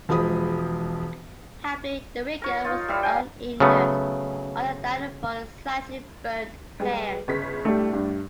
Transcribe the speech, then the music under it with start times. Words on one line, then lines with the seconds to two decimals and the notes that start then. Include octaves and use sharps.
Happily, the rigger was uninjured, other than for a slightly burned hand.
0.09 E1 F3 G#3 B5 D#6
2.42 A#4 C#5
2.64 D#4 F4
2.88 G3 E4 F5
3.03 G5 G#5 A#5
3.60 C#3 F#3 A3 B3
6.80 G3 G#3 B4
7.28 G1 C#3 B6
7.65 A2 G3 A3 D4
7.93 G2